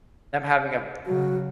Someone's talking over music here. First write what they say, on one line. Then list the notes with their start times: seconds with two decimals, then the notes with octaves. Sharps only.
them having a
1.06 C#3 F#3 F#4